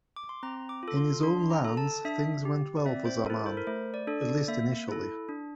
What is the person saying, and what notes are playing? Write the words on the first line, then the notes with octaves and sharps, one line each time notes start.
In his own lands things went well for Zaman, at least initially.
D6
C6
C4 A#5
D6
F4 A4
C6
D4 C6
A#5
A4
A5
D4 E5
G4
D5
C4 E5
C5
E4 A4 A#4
C5
A#4
A3 C5
D5
D4 A4
D5
A#3 E5
E4 A4
D4